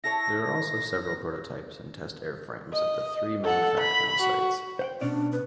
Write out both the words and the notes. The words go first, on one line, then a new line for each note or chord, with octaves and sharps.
There are also several prototypes and test airframes at the three manufacturing sites.
E4 A4 C#5 A#6
D#5
A4 F#5
B5
F#4
C5 F#5 G5
B2 C#4 D4 D5
B4